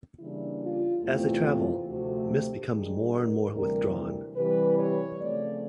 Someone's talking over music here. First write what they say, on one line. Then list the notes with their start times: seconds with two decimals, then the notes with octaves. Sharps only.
As they travel, Mis becomes more and more withdrawn.
0.19 C#3 E3 G3 A#3 D4 E4
0.61 F4
1.03 E2 C3 E3 A3 C4 F4
1.86 D2 C3 F3 A3 C4 F#4
2.28 G4
2.69 G2 D#3 G3 G#4
3.11 A#4
3.52 D2 C3 E3 G3 A#4
4.36 C3 E3 G3 B4
4.78 C#5
5.19 C#3 F3 A3 C4 D5